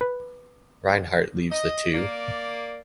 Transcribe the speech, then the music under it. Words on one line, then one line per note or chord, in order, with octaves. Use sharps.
Reinhardt leaves the two.
B4
D#5
A#3 D5